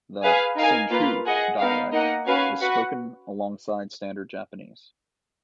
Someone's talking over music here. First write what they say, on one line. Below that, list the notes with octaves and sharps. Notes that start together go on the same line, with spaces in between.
The Senshu dialect is spoken alongside standard Japanese.
G#4 B4 F5 G#5
D#4 A#4 F5 G#5
A#3 F4 B4 F5
G#4 D#5 F#5
B3 D#4 A#4 F5
A#3 D#4 A#4 D#5 F#5
C#4 F#4 B4 F5 G#5
F#4 B4 F#5